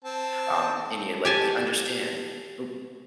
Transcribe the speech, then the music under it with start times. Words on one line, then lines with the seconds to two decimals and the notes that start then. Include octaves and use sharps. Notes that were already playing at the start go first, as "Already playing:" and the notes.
um, and you, like you understand. O
0.04 C4 A5
1.25 G4 G#5 A5